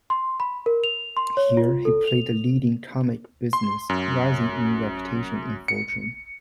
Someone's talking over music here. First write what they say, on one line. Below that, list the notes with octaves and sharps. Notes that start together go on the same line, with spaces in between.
Here he played the leading comic business, rising in reputation and fortune.
C6
B5
A#4
F7
C6
C#5
F4
A4
F7
C6
F#2
C#7